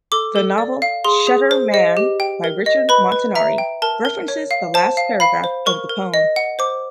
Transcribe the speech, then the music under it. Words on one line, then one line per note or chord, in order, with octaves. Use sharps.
The novel "Shutter Man" by Richard Montanari references the last paragraph of the poem.
A4 D6
A4
D5
F5
G#4 C6
G#4
C5
D#5
G4
G5
A#4
D#5
B4 B5
B4
E5 A#5
G5
A#4 A5
A#4
C#5
F5
C5 A5
F5
F5 B5
C5
A#4 C#6
A#4
D#5
F#5
C5 D6